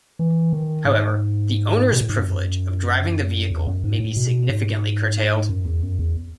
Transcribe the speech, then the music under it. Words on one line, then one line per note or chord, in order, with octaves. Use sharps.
However, the owner's privilege of driving the vehicle may be significantly curtailed.
E3
D#3
G#2
B2
A2
G#2
F#2
E2
F#2
G#2
A2
B2
G#2
F#2
E2
F#2
E2